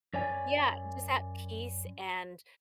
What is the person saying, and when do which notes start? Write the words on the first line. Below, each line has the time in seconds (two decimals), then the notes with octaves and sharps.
yeah, just at peace and
0.13 F#2 C#5 D5 G#5